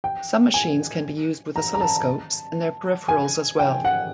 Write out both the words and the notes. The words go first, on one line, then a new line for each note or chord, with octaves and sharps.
Some machines can be used with oscilloscopes and their peripherals as well.
G5
G#5
A#5
A#5
A5
G#5
G5
F#5